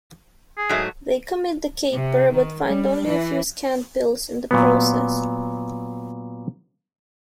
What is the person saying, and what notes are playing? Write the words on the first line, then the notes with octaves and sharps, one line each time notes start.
They commit the caper but find only a few scant bills in the process.
G#4
G#2 F#3 A3
C3
D#3
G3
E3
A#2 F#3 B3